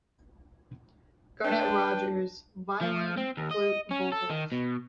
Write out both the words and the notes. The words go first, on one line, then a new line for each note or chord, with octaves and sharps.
Garnet Rogers: violin, flute, vocals.
D4 B4 G5
F3
C4
D#2
D#5
C#4
A4
D#3
B2